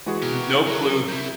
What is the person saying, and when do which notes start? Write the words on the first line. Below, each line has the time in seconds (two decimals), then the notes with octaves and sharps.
No clue who
0.06 E3 G#3 F#4 G#4 B4
0.22 B2 G4 A#4
0.67 F#3 A#4
1.09 F#3 E4 G6